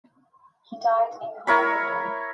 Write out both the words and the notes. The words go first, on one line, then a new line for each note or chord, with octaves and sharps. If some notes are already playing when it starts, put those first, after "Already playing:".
He died in Honolulu.
E4 A#4 C#5 B5